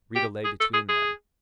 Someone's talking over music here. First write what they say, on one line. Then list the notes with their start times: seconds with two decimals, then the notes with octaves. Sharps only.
Rita lay between them.
0.16 G4
0.45 G#4
0.60 A4
0.74 G#4
0.89 G#4